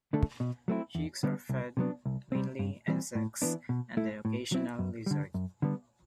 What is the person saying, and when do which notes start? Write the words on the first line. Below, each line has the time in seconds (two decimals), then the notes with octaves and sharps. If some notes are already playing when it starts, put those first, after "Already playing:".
Chicks are fed mainly insects and the occasional lizard.
0.13 D3 A3 D4 A4
0.40 B2
0.68 F#3 A3 C4 E4
0.95 E2
1.23 D3 G3 B3
1.49 C2
1.77 C3 F#3 B3 D4
2.06 C2
2.32 C3 G3 C4
2.59 G2
2.88 E3 G3 C4
3.15 A2
3.42 E3 B3 D4
3.69 B2
3.97 A3 E4
4.25 A2
4.52 F#3 C4 E4
4.79 F#2
5.06 D3 G3
5.34 F#2
5.62 D3 G3 B3